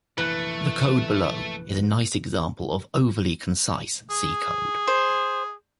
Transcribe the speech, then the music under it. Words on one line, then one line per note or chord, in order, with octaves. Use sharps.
The code below is a nice example of overly concise C code.
A#1 F#2 C3 E3 A3 B4
G#4
C5